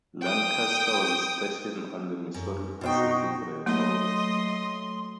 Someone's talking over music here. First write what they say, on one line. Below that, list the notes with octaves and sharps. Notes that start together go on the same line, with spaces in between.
Lancaster was a station on the Missouri Pacific Railroad.
G5 D#6
F#2
B2 D#4 F#4 C5 G5
F#3 A3 A#3 D#5 C6